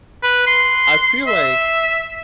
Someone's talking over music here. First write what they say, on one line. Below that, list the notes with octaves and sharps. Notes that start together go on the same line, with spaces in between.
I feel like
B4
C6
E5